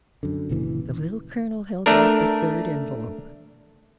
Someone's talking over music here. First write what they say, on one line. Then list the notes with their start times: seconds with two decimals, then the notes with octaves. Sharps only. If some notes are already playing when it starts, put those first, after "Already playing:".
The Little Colonel held out the third envelope.
0.23 F#2 D3
0.49 F#1 A#2 C#3 E3
1.86 A3 D4 A#4